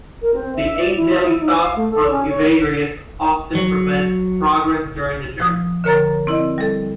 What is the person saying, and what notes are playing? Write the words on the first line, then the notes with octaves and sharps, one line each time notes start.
The Eight Deadly Thoughts of Evagrius often prevent progress during the journey.
A#4
C4
E5
D5
E4
E4
D#4
F5
A3
A4
C#4
C#5
F#3
F3 D#6
D3 A#4 C#5 A#5 A6
C4 E4 D5 D#5
G3 A4